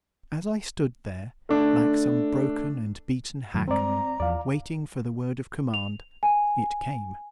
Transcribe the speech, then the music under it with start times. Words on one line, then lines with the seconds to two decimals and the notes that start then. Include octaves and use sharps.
As I stood there, like some broken and beaten hack, waiting for the word of command, it came.
1.49 A3 D4
3.54 F#2 D#3 F#3
3.68 G2 G#3 C4 D5 A#5
4.20 E2 F3 D5 F5
5.74 F7
6.23 G#5